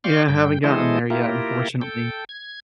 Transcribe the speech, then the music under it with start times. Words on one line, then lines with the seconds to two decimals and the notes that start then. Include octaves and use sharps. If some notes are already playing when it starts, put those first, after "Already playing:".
Yeah, haven't gotten there yet, unfortunately.
0.04 D5 F5 G5 C6 C#6
0.29 G2 G5
0.64 E3 G#3 E4 A4 C5 D#5
1.10 A#3 E4 F4 G4 A#4
1.81 A4 G5
2.29 G#6